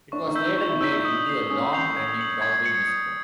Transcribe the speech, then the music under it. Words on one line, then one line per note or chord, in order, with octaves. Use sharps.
It was later made into a long-running Broadway musical.
D4 C#6
D#4
E4 E6 G6 B6
F4 C#6
E4
D#4 E6 G6 B6
D4
D#6
G6 C7 F7
C#4 D#6
G6 C7 F7
G#6
C#7 F#7
G#6
C#7 F#7
D#6